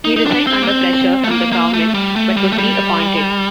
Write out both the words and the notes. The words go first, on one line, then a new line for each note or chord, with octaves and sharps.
He resigned under pressure from the government but was re-appointed.
D#4
D#4
D4
C4
A#3
C4
A3
A#3
A#3
A3
G3
A3
G3
A3
G3